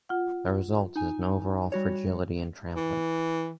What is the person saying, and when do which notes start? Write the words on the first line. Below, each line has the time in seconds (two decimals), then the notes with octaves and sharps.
The result is a an overall fragility in trampling.
0.09 F4 F#5
0.96 D#4 G#5
1.72 G3 F#4 C#5
2.75 E3